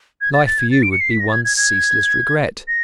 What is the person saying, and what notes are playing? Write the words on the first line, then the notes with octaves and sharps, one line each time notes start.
Life for you would be one ceaseless regret.
G#6
A6
A6
G#6
A6
D7
C#7
C7
B6
A#6
A6
G#6
G#6
G#6
A#6